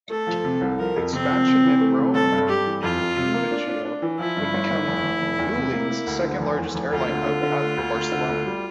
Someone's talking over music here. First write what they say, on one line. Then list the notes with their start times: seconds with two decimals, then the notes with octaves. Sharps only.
The expansion meant Rome-Fiumcino would become Vueling's second largest airline hub, after Barcelona.
0.10 A3 A4
0.27 F3
0.44 C3
0.61 C2
0.79 F3 A#4
0.96 F2
1.13 C3 C4
1.30 F3
1.46 C3
1.64 E3
1.81 A3
1.98 C3
2.14 G1 A4
2.32 G2
2.49 G2 G4
2.66 E3
2.83 F2 F4
3.00 F2
3.17 C3
3.34 A#3
3.51 D4
3.68 D4
3.85 D4
4.02 E3
4.19 F3 E4
4.37 G2
4.54 G1
4.70 G1
4.87 F1
5.04 F1
5.22 F1
5.39 E2
5.55 C3
5.73 A#3
5.90 A#3
6.06 D2
6.23 D3
6.40 F1
6.58 E2
6.74 F1
6.92 D2 F4
7.09 D3
7.26 D3
7.43 D3
7.60 A3
7.77 D2
7.94 D2
8.12 D3
8.28 D2
8.45 G3